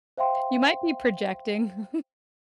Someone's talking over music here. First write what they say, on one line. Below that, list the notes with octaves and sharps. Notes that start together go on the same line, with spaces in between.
You might be projecting.
C5 E5 F5 G5 C6